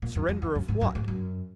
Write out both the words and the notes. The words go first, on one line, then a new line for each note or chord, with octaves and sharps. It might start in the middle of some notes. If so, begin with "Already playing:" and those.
Surrender of what?
A#2
F#2
F2
F2
F#2
G#2
F#2
G#2
F#2